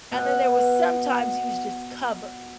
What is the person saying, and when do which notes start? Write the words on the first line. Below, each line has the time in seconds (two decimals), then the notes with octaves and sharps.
And then there was sometimes he was just covered,
0.11 B2 B3